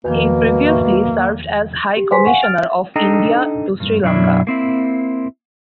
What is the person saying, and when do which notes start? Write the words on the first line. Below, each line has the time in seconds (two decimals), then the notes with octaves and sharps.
He previously served as High Commissioner of India to Sri Lanka.
0.05 E2 B2 D#3 F3 A#3
0.66 E5 C#6
1.96 G4
2.11 G#4 B4 C5 G#5 C6 B6
2.25 F5 F#5 G#5 C#6
2.41 F6 A6 D7 F7
2.58 E5
2.96 D4 D#4 A4 D#5 G5 A#5
3.80 G2
4.04 F#2 B2 F#3 D4 E4
4.47 A#3 C4 E4